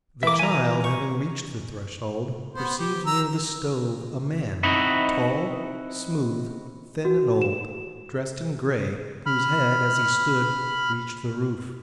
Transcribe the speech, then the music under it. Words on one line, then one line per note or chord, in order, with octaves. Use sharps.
The child having reached the threshold, perceived near the stove a man, tall, smooth, thin and old, dressed in gray, whose head, as he stood, reached the roof.
E3 A#3 E5 D6
G#5 A#5
C#6
B3 C5
G4
A#5 E6
C4 D#4 E4 F#4 D#5 B5
F#4
E7
B5 F6